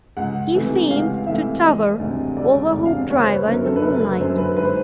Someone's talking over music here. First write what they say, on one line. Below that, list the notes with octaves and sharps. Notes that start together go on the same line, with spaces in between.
He seemed to tower over Hoopdriver in the moonlight.
C#2 F#5
C3 E3 A3
C#2 F5
C3 E3 A3 E5
E1 D#5
D2 C3
E1 D5
D2 C3
F5
F#1 C#5
C5
B4
F#2 D3 F#3 A#4
A4
B4
F#1 A#4
B4
F#2 D3 F#3 C5
B4
G#2 B4
C5